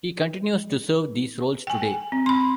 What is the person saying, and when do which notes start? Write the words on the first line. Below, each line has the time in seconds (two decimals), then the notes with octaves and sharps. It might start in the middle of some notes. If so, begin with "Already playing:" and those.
He continues to serve these roles today.
1.67 G5 G#5
2.12 C4
2.26 B5 C6